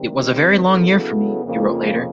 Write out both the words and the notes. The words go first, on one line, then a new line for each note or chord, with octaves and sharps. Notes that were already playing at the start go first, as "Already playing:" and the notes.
"It was a very long year for me," he wrote later.
Already playing: C3 D#3 G3 C4
C#3 F#3 B3 E4 A4
F2 C#3 F3 A#3